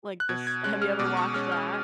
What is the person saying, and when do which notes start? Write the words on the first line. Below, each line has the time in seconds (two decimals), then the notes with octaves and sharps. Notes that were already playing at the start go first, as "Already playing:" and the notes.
Like this have you ever watched that?
0.20 F#6
0.29 B2 G#6
0.47 G#6
0.64 G#3 C#4 F#6
0.82 F6
0.99 B2 D6
1.17 C#6
1.34 G#3 C#4 F6
1.52 F6